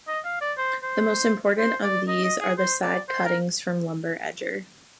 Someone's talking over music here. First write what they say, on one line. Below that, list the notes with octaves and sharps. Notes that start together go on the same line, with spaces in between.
The most important of these are the side cuttings from lumber edger.
D#5
F5
D5
C5
C5
C5
D5
D#5
D#5
G#4
C5
D5
C5
A#4